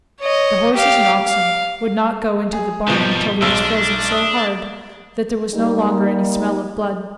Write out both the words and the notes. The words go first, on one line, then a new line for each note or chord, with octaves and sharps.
The horses and oxen would not go into the barn until he was frozen so hard that there was no longer any smell of blood.
C#5 D#5
G4 F5
F5
G#4
G#1 B2 D3 F3 G3
B1 B2 G#3 D4 E6
D4
E5 D#6
G3 A#3 D#4